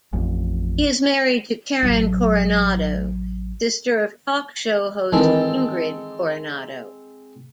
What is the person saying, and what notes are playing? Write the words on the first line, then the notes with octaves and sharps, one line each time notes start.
He is married to Karen Coronado, sister of talk show host Ingrid Coronado.
A1 F2
A1 F#3
D#3 E3 G#3 C4 A4